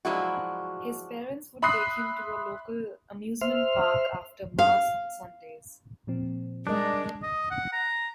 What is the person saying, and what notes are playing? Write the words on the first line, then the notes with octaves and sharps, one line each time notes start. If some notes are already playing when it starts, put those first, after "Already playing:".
His parents would take him to a local amusement park after Mass on Sundays.
F3 F#3 G#3 D4 E4 F#4
E5 B5 C6 D#6 F#6 C7
C5 E5 C6 F6
F5
A#2 F3 C4
G3 G#3 D4 A#4 D#5
D#5
F#5
A#5